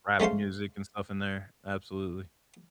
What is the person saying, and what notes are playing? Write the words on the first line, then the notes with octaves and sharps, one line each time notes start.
Rap music and stuff in there. Absolutely.
G#3 A3 C#4 C5 F5